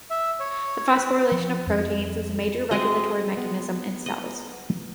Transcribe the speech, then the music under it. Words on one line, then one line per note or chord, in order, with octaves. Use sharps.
The phosphorylation of proteins is a major regulatory mechanism in cells.
E5
C#5
B4
F3
F2 C4
G#3 C4 F#4 C5 D#5 E5
B3
D#5